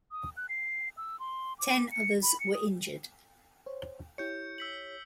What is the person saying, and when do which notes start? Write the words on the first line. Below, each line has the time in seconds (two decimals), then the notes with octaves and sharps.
Ten others were injured.
0.11 D#6
0.37 F#6
0.49 C7
0.97 E6
1.20 C6
1.59 D6
1.91 C#7
2.23 B5
2.40 C#7
2.54 D#6
3.66 C5 C#5
4.18 E4 G4 C#5 G6 C#7
4.58 E6 B6 F#7